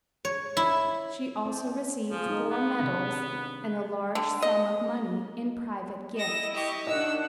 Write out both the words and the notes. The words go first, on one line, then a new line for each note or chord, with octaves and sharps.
She also received four medals, and a large sum of money in private gifts.
C#5
E4
C4 C5 D5
F3 G#4
G#3 D#4
B3 F#5
C3 D#3 D4
D3
D#5
E4 D#5 A#6 E7
G4 C#6
D#3 D4 D#5 F#5 E6